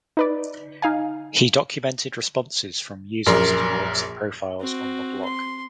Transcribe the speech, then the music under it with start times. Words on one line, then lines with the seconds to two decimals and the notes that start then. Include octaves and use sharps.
He documented responses from users towards the profiles on the blog.
0.17 D#4 B4 D5
0.82 D#4 F5 G#5
3.26 A#1 F#2 A#4 C6
4.60 C4 F#4
5.25 C6